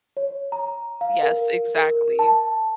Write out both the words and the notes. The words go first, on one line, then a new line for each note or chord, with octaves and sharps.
Yes, exactly.
C#5
A#5
F5
A#4
A#4
A5